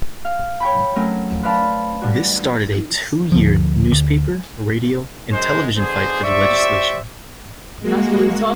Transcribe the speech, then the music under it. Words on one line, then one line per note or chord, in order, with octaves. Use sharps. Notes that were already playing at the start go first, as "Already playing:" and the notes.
This started a two-year newspaper, radio, and television fight for the legislation.
F5
C#5 G5 B5
F#3 A3 C4 C#4 A#4
B4 C5 D5 F5 A5 B5
G3 D4 F#4
D2 F3
D2
F#2 G#3 C5
B2 D3 G#4 C5
G4 C5 D5 E5 C#6
G#3 A#3 F#4